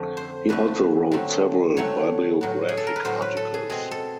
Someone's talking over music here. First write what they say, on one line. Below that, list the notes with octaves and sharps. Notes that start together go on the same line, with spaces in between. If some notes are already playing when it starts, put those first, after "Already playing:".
He also wrote several bibliographic articles.
Already playing: F2 D3 F3 A3
C5
F2 D3 F3 A3 B4
D3 F#3 A3 C4
D3 F#3 A3 C4 C#5
A2 F#3 B3
G#4
A4
A#4
B4
A2 F#3 B3 C5
B4
A4
G#4
B2 G#3 C4 G#4
A4